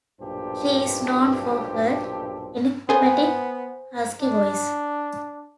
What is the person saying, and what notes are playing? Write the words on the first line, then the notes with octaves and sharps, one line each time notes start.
She is known for her enigmatic, husky voice.
B1 G2 A#2 G4 A4 C5
B3 C#4 G#4 A4 C5 G#5 D#6
D4